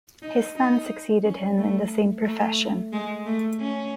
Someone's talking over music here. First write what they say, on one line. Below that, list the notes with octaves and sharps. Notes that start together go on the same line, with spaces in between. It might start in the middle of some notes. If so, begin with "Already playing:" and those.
His son succeeded him in the same profession.
D#4
D#4
C#4
A3
A3
G#3
A3
C#4